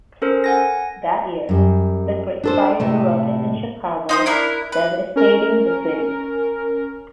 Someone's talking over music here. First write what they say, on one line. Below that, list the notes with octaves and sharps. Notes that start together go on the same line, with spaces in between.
That year, the Great Fire erupted in Chicago, devastating the city.
C#4 A4 A#4 C5
F#5 G#5 A#6
F#2 G3
D4 A4 C5
A2 C3 A3
D#4 C5 D#6
D4 E4 A#4
B4
C#4 A#4